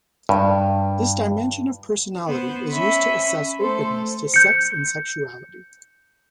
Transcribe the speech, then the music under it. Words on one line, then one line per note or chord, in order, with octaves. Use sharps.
This dimension of personality is used to assess openness to sex and sexuality.
G2
B3 C5
C#4 E5 B5
A3 A4 C5
G6 C#7